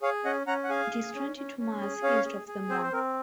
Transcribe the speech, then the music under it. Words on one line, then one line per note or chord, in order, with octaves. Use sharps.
It is twenty-two miles east of Des Moines.
G#4 C#5 F5
C#4 D#5 F#5
C#4 F#5 A#5
F#5
G#4 F5 G#5
G#4
C#4
C#4
C#4
G#4
C#4 C#5 F5
G#4
G#4
C4 C5
C5
C4 A#4